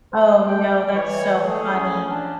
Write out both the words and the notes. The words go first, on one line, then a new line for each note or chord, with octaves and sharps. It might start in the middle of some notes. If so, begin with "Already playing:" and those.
Oh, no. That's so funny.
C5
G4 G5
E3 C#5
A3 G#4
C#4
D4